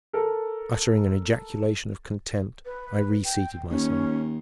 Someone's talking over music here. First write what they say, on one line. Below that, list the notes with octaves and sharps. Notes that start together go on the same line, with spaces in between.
Uttering an ejaculation of contempt, I reseated myself.
A4 A#4
B4
G5
D#2 C#4